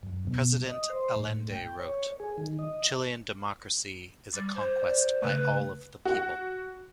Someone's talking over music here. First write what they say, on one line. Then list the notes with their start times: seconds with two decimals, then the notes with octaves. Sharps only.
President Allende wrote: Chilean democracy is a conquest by all of the people.
0.03 F#2
0.27 B2
0.67 D#5
0.90 C5
1.16 A2
1.52 G5
1.79 C#5
2.20 G#4
2.38 D#3
2.59 D#5
4.34 G3 D6
4.55 C5
4.82 D5
5.22 C#3 A3 B4
6.05 F#4